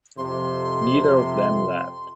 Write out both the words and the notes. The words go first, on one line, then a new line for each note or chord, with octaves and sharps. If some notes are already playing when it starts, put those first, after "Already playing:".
Neither of them laughed.
F2 C3 C6